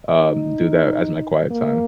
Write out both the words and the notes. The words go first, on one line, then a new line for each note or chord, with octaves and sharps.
um, do that as my quiet time,
D#4
A#3